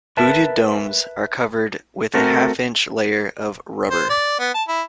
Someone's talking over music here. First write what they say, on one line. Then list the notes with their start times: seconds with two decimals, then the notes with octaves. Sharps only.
Booted domes are covered with a half-inch layer of rubber.
0.17 A#4 B4 E5 A5
2.14 A3 C4 F#4 A4 A#4
3.90 C5
4.09 D5
4.39 B3
4.54 A5
4.68 E4